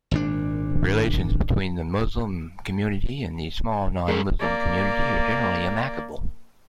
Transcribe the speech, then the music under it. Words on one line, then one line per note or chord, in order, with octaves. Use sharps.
Relations between the Muslim community and the small non-Muslim community are generally amicable.
G#1 A#2 D4
G#2 C#4 G#4 A#4
A#3 D5